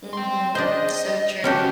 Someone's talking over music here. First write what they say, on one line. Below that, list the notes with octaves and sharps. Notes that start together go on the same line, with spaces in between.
Mhm, so true.
G5 C6
D4 G#4 C5 D#5
B3 C#4 F#4 G4 A5